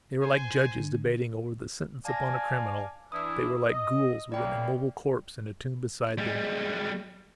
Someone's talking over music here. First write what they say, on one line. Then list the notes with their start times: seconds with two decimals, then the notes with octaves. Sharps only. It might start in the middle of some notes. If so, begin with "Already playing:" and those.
They were like judges debating over the sentence upon a criminal; they were like ghouls with an immobile corpse in a tomb beside them.
0.22 C5 G#5
0.78 D3
2.05 D5 F5 G#5 A5 A#6
3.12 E3 D4 E4 D#6 E6
3.72 D#5
4.32 C#3 E3 A#3 D5 G5
6.18 G3 G#3